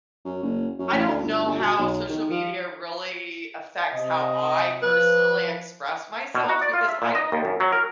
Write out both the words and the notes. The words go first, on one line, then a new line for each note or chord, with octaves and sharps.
I don't know how social media really affects how I personally express myself, because I don't
F#2
F#1
F#2
A1
D2
G1
G1
B2
B1
D#3
F3
C3 D#5
F3 B4
B2
F#4
D5
F4
E5
A#2
D#5
D#2
F#2
F#3
A#4